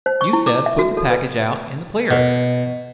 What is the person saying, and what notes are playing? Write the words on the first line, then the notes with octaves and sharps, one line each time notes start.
You said, put the package out in the clear.
C5
C#6
E4
D6
E5
F#4
A4
B4
B2